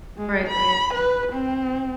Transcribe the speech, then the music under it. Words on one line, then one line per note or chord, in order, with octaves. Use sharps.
Right. Right.
G#3
B5
B4
C4